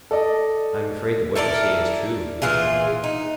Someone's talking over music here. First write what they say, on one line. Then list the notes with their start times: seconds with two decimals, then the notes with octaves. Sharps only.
I am afraid that what you say is true, he replied.
0.11 A4 D5 D#5
1.36 E4 A4 A#4 D5
2.42 A#2 E3 F4 G#4
3.04 D#4